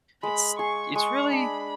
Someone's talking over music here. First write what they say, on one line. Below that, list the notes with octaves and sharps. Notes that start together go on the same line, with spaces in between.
It's it's really
G#3 B5
G#4 C#6
G#3 C#6
D4 B5